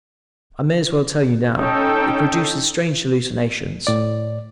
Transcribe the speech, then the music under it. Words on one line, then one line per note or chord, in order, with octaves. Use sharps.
I may as well tell you now, it produces strange hallucinations.
C#4 D#4 A4 G5
A2 D5